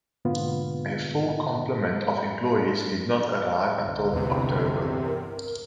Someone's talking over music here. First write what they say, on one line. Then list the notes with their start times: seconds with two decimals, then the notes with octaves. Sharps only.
A full complement of employees did not arrive until October.
0.25 G#2 B2 D3 A#3 B3 F4
3.74 G1 C2 G2
4.13 E2 C3 B4
5.06 A#4